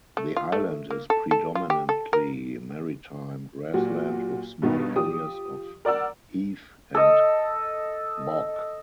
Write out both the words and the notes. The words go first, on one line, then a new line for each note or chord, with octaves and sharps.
The island is predominantly maritime grassland with small areas of heath and bog.
A3
F4
A3
A#3
A4
A4
F4
G4
A4
A#4
A#2 F#3 F#4 G4
G2 B2 B3 D#4
F3 G4 D#6
A#4 D5 F#5 E6
A4 D#5